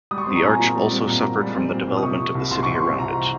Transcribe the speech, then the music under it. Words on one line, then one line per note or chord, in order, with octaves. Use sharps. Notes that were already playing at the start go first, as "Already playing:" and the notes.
The arch also suffered from the development of the city around it.
G3 D#6
C#6
C4 C6
A#5
A#2 G#5
A#2 A#5
G3
C4
A#2 A#5
A#2
G3
C4
A#2
A#2
D#6
C3 C#6
F3
C2
C2 C6
C3 C#6
C6
F3
C2 A#5